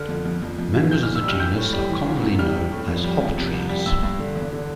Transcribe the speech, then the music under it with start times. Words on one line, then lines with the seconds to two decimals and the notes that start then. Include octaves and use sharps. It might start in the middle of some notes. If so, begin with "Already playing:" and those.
Members of the genus are commonly known as hoptrees.
Already playing: D3 F6
0.08 F2
0.25 F2
0.42 F2
0.58 F2
0.74 E3
0.91 E3 G6
1.03 F6
1.07 E3
1.16 E6
1.24 G3 F6
1.40 E3 G6
1.57 A2
1.73 G3
1.90 E3
2.06 C2
2.23 C3
2.39 G3 F6
2.55 G3
2.72 A2
2.88 F2
3.04 G3
3.20 F2
3.37 C3
3.53 C2
3.69 G3
3.86 G2 E6
4.03 G2
4.19 D3
4.36 E2
4.52 D3